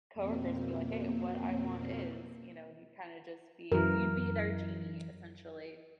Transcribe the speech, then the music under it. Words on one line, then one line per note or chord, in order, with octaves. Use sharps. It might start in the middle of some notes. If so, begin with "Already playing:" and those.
coworkers would be, like, "Hey, what I want is," you know, and you kinda just be, you'd be their genie, essentially.
F2 B2 A#3 C4
F#2 E3 A#4